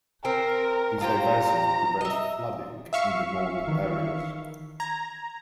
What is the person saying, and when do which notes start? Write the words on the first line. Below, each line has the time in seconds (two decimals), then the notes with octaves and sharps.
This diversion prevents flooding in the northern areas.
0.25 C4 A#4
1.01 F4 G4 C5 A#5
2.01 D#5 E5
2.93 E5 F5 C#6
3.67 D#3 E3
4.80 A#5 G#6